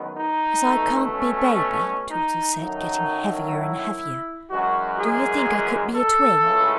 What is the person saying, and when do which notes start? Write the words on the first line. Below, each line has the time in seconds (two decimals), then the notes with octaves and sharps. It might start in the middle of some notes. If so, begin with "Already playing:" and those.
'As I can't be baby,' Tootles said, getting heavier and heavier, 'do you think I could be a twin?'
Already playing: F#2 D#3 G#3 B3
0.17 D#4
0.65 B2 A3
1.13 C#4
2.10 D#4
2.57 F#2 D#3 F#3 A3 D#4
3.54 E4
4.50 F#2 E3 G#3 F#4
4.99 G#4
5.94 A4
6.43 C#2 C#3 E3 A3